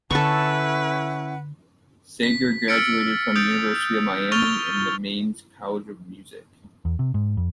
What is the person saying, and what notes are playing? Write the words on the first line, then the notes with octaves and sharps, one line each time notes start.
Zager graduated from University of Miami and the Mannes College of Music.
D3 C#4 E4 A4 B4 F#5 C#6
B6
E6 F6 A6 C#7 D7
D#6 G6 A6 D7
C#6 F6 A6 F7 G7
E2
C3
G#2
F2